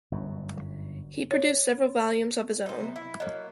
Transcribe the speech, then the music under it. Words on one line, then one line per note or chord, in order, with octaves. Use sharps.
He produced several volumes of his own.
G1 F#2
C#5
D#4 C5
C3 F#3 B3
E4 E5
F#3 A#3 C#5 D#5